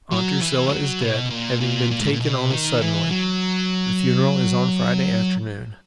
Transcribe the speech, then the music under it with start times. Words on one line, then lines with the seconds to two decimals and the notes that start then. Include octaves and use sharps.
Aunt Drusilla is dead, having been taken almost suddenly. The funeral is on Friday afternoon.
0.11 F#3
0.41 E3
0.66 G#3
0.71 F#3
1.01 B2
1.31 A#2
1.61 A#2
1.91 A#2
2.01 G#2
2.10 A#2
2.21 B2
2.50 D#3
2.81 E3
3.10 F#3